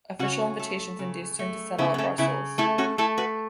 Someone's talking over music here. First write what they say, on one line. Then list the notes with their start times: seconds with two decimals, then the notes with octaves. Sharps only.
Official invitations induced him to settle at Brussels.
0.19 C#3 C#4 F#4
0.59 A3
0.99 C#3
1.39 A3
1.78 C#3 B3 E4
1.94 B3
1.98 A3 C#4
2.18 C#3 B3 E4
2.58 A3 E4 A4
2.78 C#4 F#4
2.98 A3 E4 A4
3.18 F#4 B4